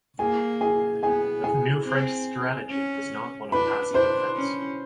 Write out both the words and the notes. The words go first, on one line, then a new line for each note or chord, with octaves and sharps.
The new French strategy was not one of passive defence.
A#3 G#4 G#5
G#4 G#5
B3 G#4 G#5
G#4 G#5
C4
C#4
D4 B4 B5
D4 C5 C6
C#4